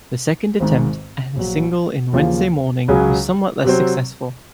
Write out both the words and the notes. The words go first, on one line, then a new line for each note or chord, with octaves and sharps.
A second attempt at a single in "Wednesday Morning" was somewhat less successful.
G#1 G#2 D#3
A#1 A#2 F#3
D#2 C#3 F3 A#3 F4
C#2 C#3 F#3 C#4 G#4
C3 F#3 C4